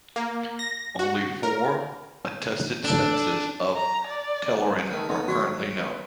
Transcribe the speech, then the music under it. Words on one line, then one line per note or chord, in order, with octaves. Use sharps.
Only four attested sentences of Telerin are currently known.
A#3
A#6
F#4
A#4
D4 A4
A#5
D5
D#3 A3 G#4 B4
A3 B3 C4 D#4 A4 C#5
D#3 F#3 F#4 C#5 C#6
B4